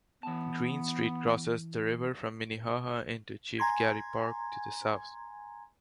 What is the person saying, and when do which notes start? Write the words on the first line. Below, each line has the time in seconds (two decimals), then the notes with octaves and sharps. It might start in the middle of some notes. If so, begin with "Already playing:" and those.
Greene Street crosses the river from Minnehaha into Chief Garry Park to the south.
0.23 E3 B3 A5
3.58 G#5 A#5 C6 G#6